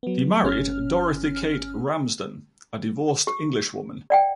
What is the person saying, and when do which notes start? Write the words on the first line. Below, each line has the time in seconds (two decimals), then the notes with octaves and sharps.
He married Dorothy Kate Ramsden, a divorced Englishwoman.
0.03 F#3 B3
0.43 G1 C#4 F6
3.27 G4
4.10 D5 F#5 G5